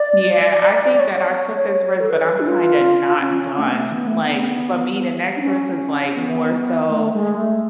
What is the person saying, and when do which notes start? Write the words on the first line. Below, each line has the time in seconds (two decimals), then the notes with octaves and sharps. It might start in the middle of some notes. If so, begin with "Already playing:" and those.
Yeah, I think that I took this risk, but I'm kinda not done. Like, for me, the next risk is, like, more so,
Already playing: D5
0.93 D5
1.00 C#5
1.73 C#5
2.01 A4
2.10 B4
2.40 D4
2.47 F4
3.20 C#4
3.57 A3
3.65 B3
3.73 A3
3.94 B3
4.07 A3
4.21 B3
5.36 D4
5.41 C#4
6.15 B3
6.88 A3
7.13 G#3
7.37 A3